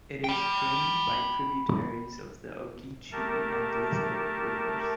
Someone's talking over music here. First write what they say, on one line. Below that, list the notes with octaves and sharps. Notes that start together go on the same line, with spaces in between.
It is drained by tributaries of the Ogeechee and Little rivers.
G5 B5
A3 G4 A#4 A5